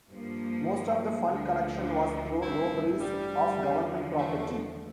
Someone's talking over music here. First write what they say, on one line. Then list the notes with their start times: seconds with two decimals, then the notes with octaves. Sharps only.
Most of the fund collection was through robberies of government property.
0.09 G2 F3 A#3
1.26 D2 D3 F3 G3 A#3
1.84 A#3 D4
2.42 A1 G2 D3 C4 E4
3.01 G3
3.58 E2 D3 F3
4.17 A3